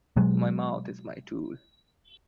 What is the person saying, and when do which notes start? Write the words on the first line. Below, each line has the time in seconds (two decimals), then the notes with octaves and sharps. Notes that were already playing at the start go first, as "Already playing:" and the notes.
My mouth is my tool.
0.16 B2 F#3 G#3